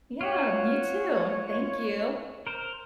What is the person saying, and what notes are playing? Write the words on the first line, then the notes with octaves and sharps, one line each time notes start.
Yeah, you too, thank you,
F4 F#4 C#5
A#4 C5